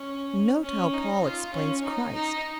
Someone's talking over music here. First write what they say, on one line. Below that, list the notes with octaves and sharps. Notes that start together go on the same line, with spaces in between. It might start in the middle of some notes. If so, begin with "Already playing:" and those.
Note how Paul explains Christ.
Already playing: C#4
C#4
D#4
F4
C#4
D#4
D#4